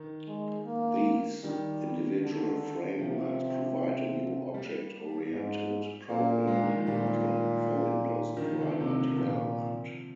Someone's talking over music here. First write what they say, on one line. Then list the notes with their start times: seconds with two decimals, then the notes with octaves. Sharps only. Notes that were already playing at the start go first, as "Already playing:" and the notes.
These individual frameworks provide a new object-oriented programming model for Windows driver development.
Already playing: D#3
0.27 G#3
0.66 A#3
1.44 D#3 G3
2.22 D3
2.99 C3 F3
4.54 G3
5.32 G#2
6.09 A#2 A#3
6.47 G#3
6.64 D#3
6.75 F3
6.87 A#2 G3
8.37 D#3
8.42 F3
8.61 D3
8.81 C3
9.00 D3
9.13 D#3
9.19 A#2 F3